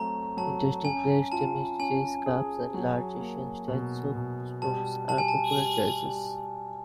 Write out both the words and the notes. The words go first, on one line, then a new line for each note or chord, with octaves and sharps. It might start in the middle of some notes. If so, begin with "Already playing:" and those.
Interesting plates, demitasse cups, and large Asian-style soup spoons are popular choices.
Already playing: F#3 A3 C4 A#5
F#3 A5
C#4 G#5
F4 A5
C#4 G#5
G#4
F#3
A#3
B2
B2
G3 A5
G3 A5
G#5
A5
G3
G3